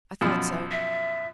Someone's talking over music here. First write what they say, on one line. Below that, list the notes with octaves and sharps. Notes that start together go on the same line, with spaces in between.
I thought so.
F#2 B2 F3
E5